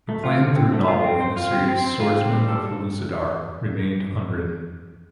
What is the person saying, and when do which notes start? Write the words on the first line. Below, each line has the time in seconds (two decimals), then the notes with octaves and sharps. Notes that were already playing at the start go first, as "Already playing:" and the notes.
A planned third novel in the series, "Swordsmen of Pellucidar", remained unwritten.
0.09 A3
0.24 F4
0.40 D3
0.56 C4
0.72 A3
0.88 F4
1.04 C4
1.20 C5
1.36 F4
1.52 C4
1.68 C4
1.84 C5
2.00 F4
2.16 C4
2.32 G3
2.48 A4